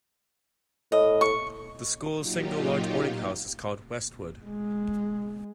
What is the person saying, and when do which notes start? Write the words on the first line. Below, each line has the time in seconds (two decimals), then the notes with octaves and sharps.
The school's single large boarding house is called Westwood.
0.92 A2 D#5
1.21 C#6
2.16 A#2 F#3 D#4 F4 G4
4.45 G#3